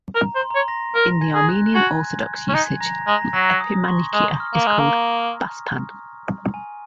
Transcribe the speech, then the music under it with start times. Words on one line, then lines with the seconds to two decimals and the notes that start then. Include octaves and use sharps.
In the Armenian Orthodox usage, the epimanikia is called "baspan".
0.15 A#4 A#5
0.36 C5
0.41 C6
0.50 A#5
0.55 C#5
0.60 C6
0.68 A#5 A#6
0.95 A#4 A#5 A#6
1.21 G#5 G#6
1.35 G#4
1.49 F#6
1.66 F#6
1.75 F#4 G#5 G#6
2.49 C#4
2.54 D#4 G#5 G#6
2.81 A#5 A#6
3.07 G#3 A#5 A#6
3.34 F#3 A#5 A#6
3.60 D#6
3.84 C6
3.87 C#6
4.13 G#3 D#6
4.40 F6
4.54 A#3
4.67 G#3 A#5
4.79 A#3
6.54 G#5